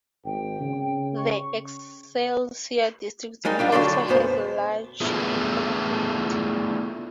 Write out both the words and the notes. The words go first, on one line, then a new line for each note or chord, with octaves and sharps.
The Excelsior District also has a large Filipino community.
G#1 G5
C#3
C#6
G3 G#3 D#4 A#4
G3 D4 F4
D3 F#3 F#4 G#4 D5 C6
B1 F#2 B3 C5
A3 B3 D4 E4 F4 G#4